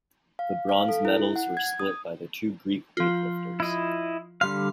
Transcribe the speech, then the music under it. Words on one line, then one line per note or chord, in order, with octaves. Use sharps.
The bronze medals were split by the two Greek weightlifters.
F5
F5
A4
E4
F#5
G#6
D#6
F3 F4
E4 D#5
D3 G3 F5 C6